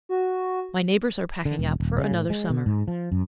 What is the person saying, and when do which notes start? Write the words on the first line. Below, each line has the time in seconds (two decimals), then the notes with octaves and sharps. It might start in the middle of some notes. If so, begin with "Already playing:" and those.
My neighbors are packing up for another summer.
0.09 F#4
1.45 D3
1.59 E1
1.80 D#1
1.98 C#3
2.11 A2
2.30 G#3
2.50 B2
2.66 G#2
2.88 F3
3.12 F#2